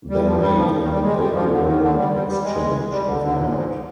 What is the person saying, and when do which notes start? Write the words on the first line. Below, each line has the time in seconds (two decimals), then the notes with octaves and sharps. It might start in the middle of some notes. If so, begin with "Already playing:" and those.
They made an equivalent exchange of land.
0.10 G3
0.25 F3
0.41 G3
0.56 F3
0.72 D#3
0.82 D#3
0.92 G3
1.03 G#3
1.19 G3
1.34 F3
1.50 D3
1.66 D#3
1.81 D3
1.97 G3
2.12 G3
2.28 G3
2.44 G#3
2.91 G3
3.06 D3
3.22 D3
3.32 C3
3.38 A#2
3.49 A#2
3.53 G#2